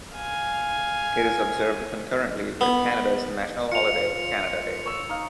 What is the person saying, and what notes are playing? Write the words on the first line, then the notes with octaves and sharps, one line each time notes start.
It is observed concurrently with Canada's national holiday, Canada Day.
F5 G#5
B3
F4 C#7 F7
C#5 E6
D#4 F5